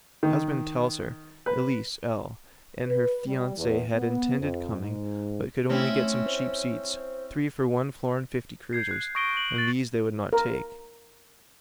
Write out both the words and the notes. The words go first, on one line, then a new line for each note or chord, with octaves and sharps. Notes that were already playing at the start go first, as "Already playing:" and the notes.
Her husband tells her, Elise L---- and her fiance had intended coming, but could only get some cheap seats, three for one florin fifty kreuzers, and these they would not take.
D#3
B4
B4
G3
E2
B3
F2
G#2
A3 C4 C#4 E4
C5
G6 G#6 C7
F#6
C#6 D#6 A#6 D7 D#7 G7
F#7
F#6 A6
A#4